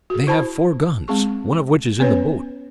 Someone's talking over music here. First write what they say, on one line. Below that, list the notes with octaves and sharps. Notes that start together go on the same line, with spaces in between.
"They have four guns, one of which is in the boat."
F#4 G#4
E4 C5 A5 B5
G#3 C4 G#4 C#6
B3 C#4 B4 C#5